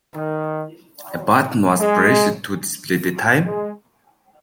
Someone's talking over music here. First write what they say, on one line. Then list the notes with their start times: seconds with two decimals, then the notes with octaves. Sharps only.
A button was pressed to display the time.
0.14 D#3
1.80 G#3
3.46 G#3